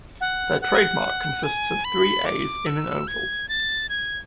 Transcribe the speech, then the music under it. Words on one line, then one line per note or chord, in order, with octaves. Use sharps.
Their trademark consists of three As in an oval.
F#5
F#5
G#5
B5
D6
E6
G#6
A6
G#6